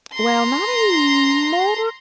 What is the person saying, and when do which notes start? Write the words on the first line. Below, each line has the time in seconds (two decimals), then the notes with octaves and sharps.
Well, not anymore
0.14 A#5 C6